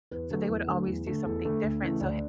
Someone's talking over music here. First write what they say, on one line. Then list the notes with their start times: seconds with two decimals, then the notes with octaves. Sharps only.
so they would always do something different, so h
0.11 E2 B4
0.30 D3 F#3 A3
0.49 E2
0.68 D3 F#3 A3
0.87 E2
1.07 D3 A3
1.25 E2 A4
1.45 D3 A3
1.63 D2
1.82 C#3 E3 A3
2.01 D2 D4